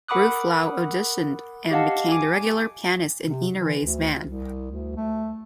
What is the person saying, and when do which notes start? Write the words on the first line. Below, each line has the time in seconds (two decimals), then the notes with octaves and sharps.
Ruth Lowe auditioned, and became the regular pianist in Ina Ray's band.
0.08 A#4 F#5 B5 D6 D#6 F#6
1.71 G4 D#5 F5 F#5 A5
2.09 G#5 D6
3.25 C3
3.58 E3
3.84 D2
4.24 C2
4.71 D2
4.96 A3